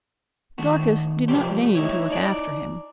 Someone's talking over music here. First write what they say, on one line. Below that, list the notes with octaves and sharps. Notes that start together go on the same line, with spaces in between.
Dorcas did not deign to look after him.
D#3 A3 F#4
C3 F3 G3 C#4 G4 C5
A3
D#4 E4 C#5
D#4 D5